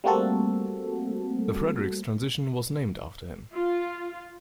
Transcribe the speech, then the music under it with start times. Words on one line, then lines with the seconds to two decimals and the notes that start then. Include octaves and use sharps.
The Frederiks transition was named after him.
0.04 G3 A3 A#3 C4 F#4 A4
3.53 F4